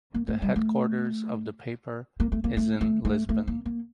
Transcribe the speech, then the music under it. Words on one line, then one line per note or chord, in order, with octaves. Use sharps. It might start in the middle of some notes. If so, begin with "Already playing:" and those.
The headquarters of the paper is in Lisbon.
A#3
A3
G3
A3
A#3
A3
A#3
A3
A3
A3
A3
A#3
A#3